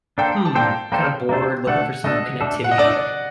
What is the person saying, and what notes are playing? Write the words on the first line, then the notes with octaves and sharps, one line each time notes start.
"Hmm." Kinda bored, looking for some connectivity,
A#3 D4 A4 C5 G5
A5
A#3 D4 A4 C5 G5
A#3 D4 A4 C5 G5
A#3 D4 A4 C5
A3 D4 A4 F#5
A3 D4 A4 D#5
A3 D4 A4
F#5
D#5
A3 D4 A4 D5
D5